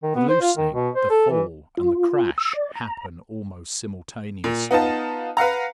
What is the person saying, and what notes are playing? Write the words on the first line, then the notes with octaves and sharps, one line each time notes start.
The loosening, the fall, and the crash happen almost simultaneously.
D#3
B3
C5
F4
D#3
B2
C5
A4
E3
F4
E6
D5
A#5
A#2
B3 D#4 F4 A5
B4 F5 F#5 A#5